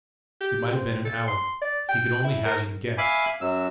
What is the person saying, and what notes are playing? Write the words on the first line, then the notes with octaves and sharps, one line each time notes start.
It might have been an hour--he could only hazard a guess.
G4
C4
A4
C6
D5
G5
E4
A#4
E5 F5 G#5 B5 D6
F#2 F#3 E6